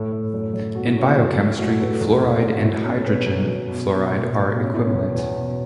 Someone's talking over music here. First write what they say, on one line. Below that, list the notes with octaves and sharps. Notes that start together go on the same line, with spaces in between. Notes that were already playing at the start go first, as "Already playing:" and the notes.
In biochemistry, fluoride and hydrogen fluoride are equivalent.
Already playing: A2 A4
A2
F#2
F#2
B2 F#4
E4
A3 C#4
E4
F#2
F#2
A2 F#4
A4
A2 B4
A4
E2 B4
E2 A4
A2 F#4
A2 E4
B2 C#4
A4
B2 B4
B4
F#2
F#2
B2
B2
A2
A2
B2 B3
C#4
B2 E4
C#4
E2 C#4
E2
B2